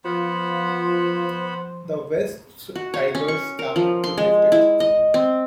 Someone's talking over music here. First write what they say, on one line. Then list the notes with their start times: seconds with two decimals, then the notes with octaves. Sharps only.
The Wests Tigers capitulated.
0.05 F3 B3 F4 C5 F#5 B5
2.75 F#4
2.94 C#5
3.15 C#4
3.28 C#6
3.59 A#4
3.76 F3
4.04 C6
4.18 G#3
4.52 E4
4.80 D#5
5.14 C4